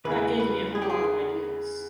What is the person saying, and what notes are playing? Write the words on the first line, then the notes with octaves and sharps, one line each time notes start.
That gave me a whole lot of ideas.
E2 C#3 E3 G#3 B4
B4
G#4
G4
G#4